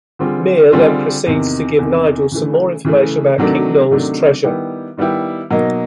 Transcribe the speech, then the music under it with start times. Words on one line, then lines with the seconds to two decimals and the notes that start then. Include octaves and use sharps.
Mir then proceeds to give Nigel some more information about King Nole's treasure.
0.19 D3 G3 C4 F4 G#4
0.72 D3 G3 C4 F4 G#4
1.26 E2 C3 D#3
1.79 E2 C3 D#3
2.32 C#3 E3 A3
2.85 C#3 E3 A3
3.38 C3 D#3 F#3 A3 D4
3.91 C3 D#3 F#3 A3 D4
4.44 D#3 G3 B3 E4 G4
4.97 D#3 G3 B3 E4 G4
5.50 B2 F#3 A#3 D#4